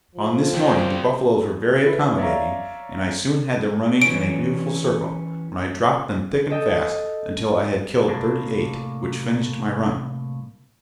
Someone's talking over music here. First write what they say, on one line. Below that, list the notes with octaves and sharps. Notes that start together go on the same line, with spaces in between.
On this morning the buffaloes were very accommodating, and I soon had them running in a beautiful circle, when I dropped them thick and fast, until I had killed thirty-eight; which finished my run.
F3
C4 D5 G5
E4 B4
C#5 D5 E5 F5 A#5
E3 G3 C#4 D7
A4 D#5 G5 G6
C2 A2 A#3 D4